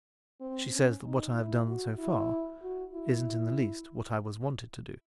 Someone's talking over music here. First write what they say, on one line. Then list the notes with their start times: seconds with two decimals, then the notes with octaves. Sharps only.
She says what I have done so far isn't in the least what I was wanted to do.
0.40 C4
0.73 C#4
1.04 D#4
1.35 E4
1.67 F#4
1.99 E4
2.62 F#4
2.94 E4